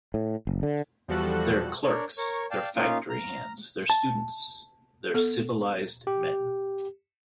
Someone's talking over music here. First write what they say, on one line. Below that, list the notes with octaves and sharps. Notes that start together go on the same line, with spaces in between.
They're clerks, they're factory hands, they're students, they're civilised men.
A2
F#1
D3
E2 F3 G3 F#4 A4 F#6
D4 A#4 C#5 D5
A#4 C#5 C#6
D5 F5 G5 A5
A#3 C#4 D#4 F4 F5
A#5 F6
A5
B3 A4
G4